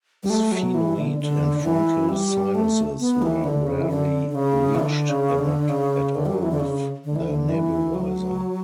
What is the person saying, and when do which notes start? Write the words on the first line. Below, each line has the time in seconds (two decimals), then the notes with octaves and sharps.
Sphenoid and frontal sinuses were rarely reached, and not at all with the nebulizer.
0.23 G3
0.30 A3
0.52 F#3
0.74 E3
0.97 D3
1.20 D3
1.59 D3
1.64 E3
2.09 G3
2.55 A3
3.00 B3
3.22 E3
3.44 D3
3.67 C#3
3.81 E3
3.90 D3
4.30 D3
4.35 C#3
4.75 E3
4.79 D3
5.09 C#3
5.39 D3
5.69 C#3
6.15 D3
6.26 G3
6.35 F#3
6.43 E3
6.52 D3
6.60 C#3
7.04 D3
7.16 E3
7.28 D3
7.49 E3
7.94 F#3